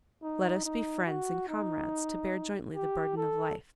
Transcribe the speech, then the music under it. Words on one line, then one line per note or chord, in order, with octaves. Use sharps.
Let us be friends and comrades to bear jointly the burden of life.
D#4
D#4
F#4
D#4
G4
A4